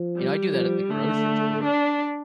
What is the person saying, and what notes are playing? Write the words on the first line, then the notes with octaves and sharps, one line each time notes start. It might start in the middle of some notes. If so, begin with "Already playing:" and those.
You know, I do that at the grocery store.
Already playing: F3
G3
F3
D3 A3
D4